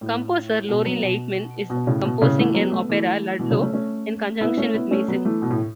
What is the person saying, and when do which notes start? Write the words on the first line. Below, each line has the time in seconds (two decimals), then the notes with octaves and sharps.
Composer Lori Laitman is composing an opera "Ludlow," in conjunction with Mason.
0.01 A2
0.68 B2
0.86 F#3 B3
1.03 B2
1.70 B2
1.87 A2 C#3
2.04 B2
2.21 A2 C#3
2.38 E3 A3
2.54 F#3 B3
2.72 A3
2.81 B3
2.89 E3 A3
3.39 B2 E3
3.50 C#3 F#3
3.62 A3 C#4
3.73 A3 C#4
4.41 B3 E4
4.57 A3 C#4
4.74 B3 E4
4.91 A3 C#4
5.08 F#3 B3
5.25 E3 A3
5.42 B2
5.51 A2